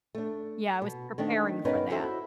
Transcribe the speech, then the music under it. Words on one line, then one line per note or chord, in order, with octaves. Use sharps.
yeah, I was preparing for that.
A3 D4
B2
D#3 A3 C4 D4
G2 B3 C#4 D#4 A#4 B4
E4 F#4 A4 C5 E5